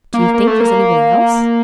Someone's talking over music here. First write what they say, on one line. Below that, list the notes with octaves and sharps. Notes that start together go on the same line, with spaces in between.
'Do you think there's any one else?'
A#3
A#3
A3
A#3